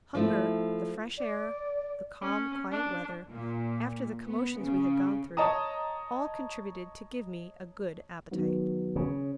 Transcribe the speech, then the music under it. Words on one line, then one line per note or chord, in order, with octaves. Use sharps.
Hunger, the fresh air, the calm quiet weather, after the commotions we had gone through, all contributed to give me a good appetite.
F3 A3 E4
D5
C#4
D4
A#2
B3
C#3
C#5 D#5 A5 A#5 D#6
D#3 F#3 B3
C#3